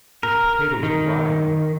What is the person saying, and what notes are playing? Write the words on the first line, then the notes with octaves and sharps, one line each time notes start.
Those potatoes are rotting.
A#4
D#3